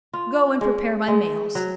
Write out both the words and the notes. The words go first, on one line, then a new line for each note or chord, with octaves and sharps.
"Go and prepare my mails."
F4
G#3
G#3
F#3